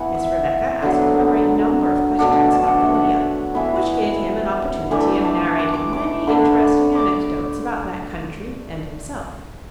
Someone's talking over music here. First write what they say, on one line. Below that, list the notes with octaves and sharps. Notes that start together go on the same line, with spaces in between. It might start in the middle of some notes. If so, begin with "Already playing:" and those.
Miss Rebecca asked him a great number of questions about India, which gave him an opportunity of narrating many interesting anecdotes about that country and himself.
Already playing: E3 B3 E4 F#5
E5
D3 F#3 B3
B2 A3 D4 F#5
A5
F#5
E5
F#5
E3 B3 E4 E5
E3 A3 D4 E5
A5
D6
D6
D6
D3 A3 D4 B5
D6